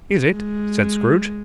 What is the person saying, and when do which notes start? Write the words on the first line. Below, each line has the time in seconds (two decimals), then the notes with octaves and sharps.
'Is it?' said Scrooge.
0.32 G#3